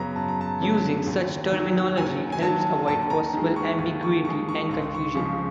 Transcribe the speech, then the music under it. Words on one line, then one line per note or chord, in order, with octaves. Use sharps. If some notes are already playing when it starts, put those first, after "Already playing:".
Using such terminology helps avoid possible ambiguity and confusion.
Already playing: F#2 C#3 F#3 B3 A#5
F#2 A5
A#5
A5
C#3 F#3 B3
D#2
D#3 F#3
D#2 G#5
G#5
D#3 F#3 A5
D#2 A5
A#5
D#3 G#3
C#6
D#2 C#6
C#6
D#3 G#3 C#6
C#6
C#2 C#6
C#6
C#3 F3 G#3 C#6